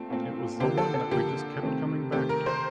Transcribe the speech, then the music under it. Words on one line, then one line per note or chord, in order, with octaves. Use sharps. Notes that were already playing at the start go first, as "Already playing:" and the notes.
It was the one that we just kept coming back to.
Already playing: A#2 A3 C4
A#2 A3 C4
D3 F3 A#3 G4
A4
A4
D3 F3 A#3 G4
C3 D#3 A3 C4
C3 D#3 A3 C4 G4
A#4
C5